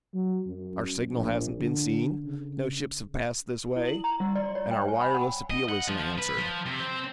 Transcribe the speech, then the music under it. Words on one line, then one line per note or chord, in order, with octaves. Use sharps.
Our signal hasn't been seen, no ships have passed this way, and our wireless appeal isn't answered.
F#3
F#2
A#1
D3
C#3
E4
F#7
A#5
G3
D5
C#5
G5
G#5
B5
F#5
D#5
F#5
F3
B4
F3
C3
C4